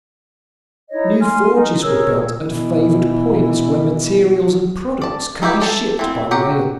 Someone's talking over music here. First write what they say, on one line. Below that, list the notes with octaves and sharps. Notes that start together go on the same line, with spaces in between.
New forges were built at favored points where materials and products could be shipped by rail.
D#4 E4 C#5 D#5
G#5 C6 F6
D#4
G#4 A#4 C#5 E6
B2 E3
D5 A5
D#4 E4 F#4 G4 B4
A4
E3 C4
F#3 G4 F#5 A#5